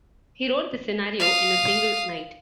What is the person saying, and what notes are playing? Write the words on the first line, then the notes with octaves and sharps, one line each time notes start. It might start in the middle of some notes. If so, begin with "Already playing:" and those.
He wrote the scenario in a single night.
F5 D#6